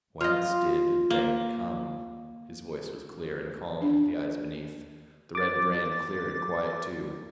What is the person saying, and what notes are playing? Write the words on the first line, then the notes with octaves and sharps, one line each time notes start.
"Whence did--They--come?" His voice was clear and calm, the eyes beneath the red brand clear and quiet, too.
F4 D#5
A#3
D4
D6 A6